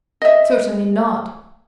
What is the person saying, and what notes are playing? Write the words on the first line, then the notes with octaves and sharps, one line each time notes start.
Certainly not.
D#5 E5